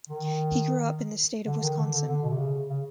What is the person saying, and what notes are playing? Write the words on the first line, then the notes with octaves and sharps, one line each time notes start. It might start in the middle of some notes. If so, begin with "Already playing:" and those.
He grew up in the state of Wisconsin.
D#3
D3
D#3
D3
D3
D3
B2
C3
C#3
C#3